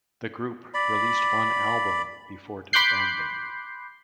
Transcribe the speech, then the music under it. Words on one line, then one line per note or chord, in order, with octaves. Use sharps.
The group released one album before disbanding.
D5 B5
B5 C6 D6 F#6 G6 C7